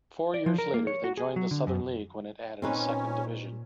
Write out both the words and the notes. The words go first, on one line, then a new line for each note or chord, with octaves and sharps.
Four years later they joined the Southern League when it added a second division.
D5
F3
A#4
A#3
C#5
F#4
G#4
F#3
D3
F#2
A#2 C4 C#4 D#4 B4